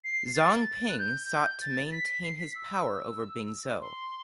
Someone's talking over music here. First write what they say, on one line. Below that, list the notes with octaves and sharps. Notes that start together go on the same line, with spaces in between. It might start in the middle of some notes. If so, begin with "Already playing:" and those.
Zhang Ping sought to maintain his power over Bingzhou.
C7
A6
F#6
G6
A6
A6
B6
C7
B6
E6
C6